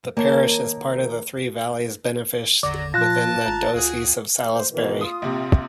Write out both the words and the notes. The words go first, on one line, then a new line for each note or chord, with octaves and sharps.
The parish is part of the Three Valleys benefice within the Diocese of Salisbury.
D#3 A#3 A#4 C#5 A5
G#1 E2 D3 F#3 D5 A#6
A#2 F3 F4 A5 F#6 A#6
G#1 A#5
D2 F#4 G#4
C5
B2 D#3 E3
F4 D#6
A#1 C3